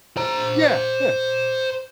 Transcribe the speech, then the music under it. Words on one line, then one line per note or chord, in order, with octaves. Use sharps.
Yeah, yeah.
C5 A#5